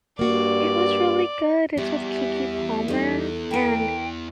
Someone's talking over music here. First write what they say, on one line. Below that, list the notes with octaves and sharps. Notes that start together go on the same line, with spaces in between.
It was really good. It's with Keke Palmer and
G2 A#3 F#4 D5
E2 G3 G4 E5
G3 D#4 A4
A#4 B4 G5